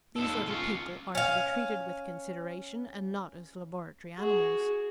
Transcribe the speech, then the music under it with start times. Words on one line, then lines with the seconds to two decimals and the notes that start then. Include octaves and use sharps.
These little people are to be treated with consideration, and not as laboratory animals.
0.16 D#2 A4
0.48 C#4 F4
1.15 C#4 F5
4.17 F#4 G#4